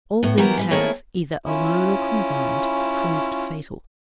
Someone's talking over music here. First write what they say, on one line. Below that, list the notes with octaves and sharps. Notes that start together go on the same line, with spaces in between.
All these have, either alone or combined, proved fatal.
A2 B3
E3 F#3 G3 B3 G4 A#4
G3 E4 B4
A3 A#3 C4 E4 G#4 C#5
C#4 E4 F4